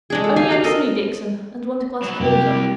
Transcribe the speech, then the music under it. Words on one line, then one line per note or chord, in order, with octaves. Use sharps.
Only I'm silly, Dixon, and want a glass of water.
G#3 D4 G#4
A4
G4 F5 G#5
F#4 F5
A4 A#4 D#5
F#3 B4
C2 C3 F#3 A#3 G4